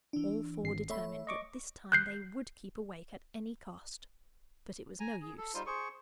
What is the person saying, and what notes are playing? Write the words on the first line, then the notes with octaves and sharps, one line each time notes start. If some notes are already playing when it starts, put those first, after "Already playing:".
All four determined that this time they would keep awake at any cost. But it was no use.
E3 D4
G#1 C7
A3 C#5 E5 B5
D#5 C#6 D6
F#6 G6 C7
G#5 A#5
G#4
A4
G3 D#4 F4 C5
G#4 C5 C#6